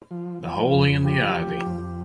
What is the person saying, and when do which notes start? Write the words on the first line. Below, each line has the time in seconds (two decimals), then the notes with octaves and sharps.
The Holly and the Ivy.
0.11 F3
0.43 F3
0.74 F2
1.03 F3 G4
1.35 F3
1.66 F2